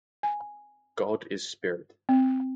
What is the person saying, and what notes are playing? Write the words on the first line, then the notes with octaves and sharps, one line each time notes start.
God is Spirit.
G#5
C4